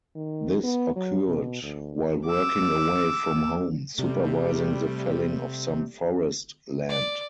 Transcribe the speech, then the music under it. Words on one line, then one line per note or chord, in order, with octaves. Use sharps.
This occurred while working away from home supervising the felling of some forest land.
D#3
B3
F#3
B2
D2
D6 E6
C3 G3 A3
D5